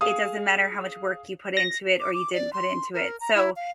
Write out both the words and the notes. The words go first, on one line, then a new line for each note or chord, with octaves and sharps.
it doesn't matter how much work you put into it or you didn't put into it, so
G#4 F5 D#6
A#6
D6
D6
D5
C6
A#4
A#5
E4
F5